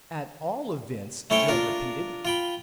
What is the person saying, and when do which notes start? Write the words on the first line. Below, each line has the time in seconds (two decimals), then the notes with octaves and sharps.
"At all events!" Joe repeated.
1.30 A3 C#4 E4 C5 C#5 G5
1.48 D4 F4 A#4
2.25 F4 G5 B5